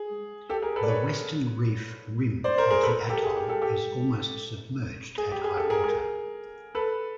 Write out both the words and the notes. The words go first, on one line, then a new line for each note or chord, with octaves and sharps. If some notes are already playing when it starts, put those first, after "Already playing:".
The western reef rim of the atoll is almost submerged at high water.
Already playing: G#4
G4 A4
G#4 A#4
A4 B4
D5
B4 C#5
C5 D5
A#4 C5
G#4 A#4
A4 B4
A#4
G4 A4
G#4
G4
G4 A4
G4 A4
G#4
G4
G#4
G4 A4
G#4 A#4
G#4 A#4
A4 B4